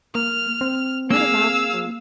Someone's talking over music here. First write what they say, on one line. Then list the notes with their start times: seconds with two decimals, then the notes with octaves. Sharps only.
what about fruit?
0.15 A#3 F6
0.61 C4
1.10 A#3 G#4 F5 E6